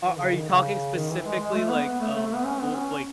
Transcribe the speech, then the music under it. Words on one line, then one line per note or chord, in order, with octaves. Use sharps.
A are you talking specifically, like, um, well, like,
E3
C#3
D#3
C#3
D#3
E3
G#3
G#3
A3
B3
B3
A3
A3
A3
B3
C#4
B3
C#4